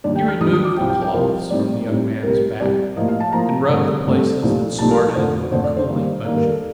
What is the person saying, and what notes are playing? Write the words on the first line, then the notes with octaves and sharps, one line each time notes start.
He removed the cloths from the young man's back, and rubbed the places that smarted with a cooling unguent.
D#2 D#3 G3 D4 D5
G5
F6
D#2 D#3 G3 D4 D#6
D#6
D6
C2 C3 F3 G5
G5
G5
C2 C3 F3 A#4
A2 G3 C4 D#4 D5
A2 G3 C4 D#4
C2 C3 G3 A#4
C2 C3 G3 D5
A2 F3 A#3 D#5
F5
A5
A2 F3 A#3 A#5
G2 D3 A3 C4
G2 D3 A3 C4
C2 A#2 F3 A3 D#4
C2 A#2 F3 A3 D#4 A5
A#4
A4
F2 D3 A3 C5
F2 D3 A3 C5
D5
C5
G2 D#3 A#3
G2 D#3 A#3 D5
A#4
A4